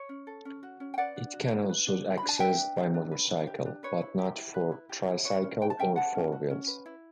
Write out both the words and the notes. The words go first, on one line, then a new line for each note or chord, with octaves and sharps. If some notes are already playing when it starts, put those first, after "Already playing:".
It can also access by motorcycle, but not for Tricycle or Four Wheels.
Already playing: C#5
C#4
A4
C#4
F#4
C#4
G5
B4 D5 F#5
D4
F#4
D4
B4
D4
F#4
B5
D4
A5
B4 E5 G5
D4
G4
D4
B4
D4
G4
D4
B4 C#5
E4
G4
E4
B4
E4
G4
E4
B4 C#5
C#4
F#4 G5
A5
C#4 E5 G5
B4 F#5 A5
C#4
F#4
C#4
B4
E4